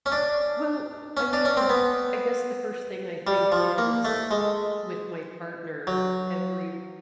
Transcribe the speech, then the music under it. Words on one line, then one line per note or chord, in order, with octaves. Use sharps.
well, I mean, I guess the first thing I think is with my partner, every r
C#4
D4
C#4
D4
C#4
C4
B3
G3
F3
A#3
A3
G#3
F#3